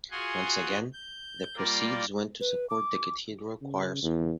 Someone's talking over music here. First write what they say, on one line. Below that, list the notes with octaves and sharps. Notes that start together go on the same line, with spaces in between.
Once again, the proceeds went to support the Cathedral Choir School.
F4 F#4 G#4 F#5 G#5 C6
G6
G3 A#3 F4 A#4 D5
B4
D6
C#3
E2